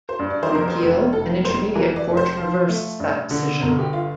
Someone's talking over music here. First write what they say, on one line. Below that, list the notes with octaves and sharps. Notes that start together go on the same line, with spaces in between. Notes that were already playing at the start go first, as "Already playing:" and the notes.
On appeal, an intermediate court reversed that decision.
C5
G2
D5
C5
F2 A#4
C5
F1
F1 A4
F1 C5
E3 A#4
D5
F1
C5
F3
A3
G2
D3
G1 A#4
G4
F4